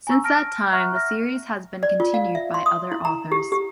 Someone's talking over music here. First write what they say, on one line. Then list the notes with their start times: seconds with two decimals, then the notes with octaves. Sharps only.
Since that time, the series has been continued by other authors.
0.07 G#5 A#5 C#6 E6
0.24 A5 F6 A#6 D7
0.72 E5 F#5 A#5 C#6 F6 F#6
0.95 E5 F6 A#6
1.83 D5
2.00 F4
2.14 F5
2.35 E5
2.54 C6
2.66 D#6
2.92 E4
3.05 A#5
3.32 G4
3.52 G4